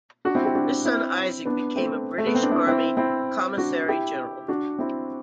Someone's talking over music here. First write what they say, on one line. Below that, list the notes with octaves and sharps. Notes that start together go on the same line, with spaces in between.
Their son Isaac became a British army commissary-general.
D4 F#4
C4 E4
E4 G4
D4 F#4
C4 E4
B3 D4
A3 C4
A3
B3
C4
D4
C4 E4
C4 E4
C4 E4
D4 F#4
E4 G4
D4 F#4
C4 E4